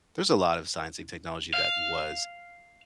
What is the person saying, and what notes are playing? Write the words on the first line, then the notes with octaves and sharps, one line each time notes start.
There's a lot of science and technology that was,
F5